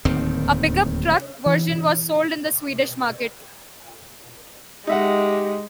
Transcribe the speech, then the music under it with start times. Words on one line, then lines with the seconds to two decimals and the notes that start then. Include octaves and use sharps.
A pickup truck version was sold in the Swedish market.
0.05 D1 D#2 D#3 C4
1.46 E3
4.87 G#3 D#4 G4 E5 F#5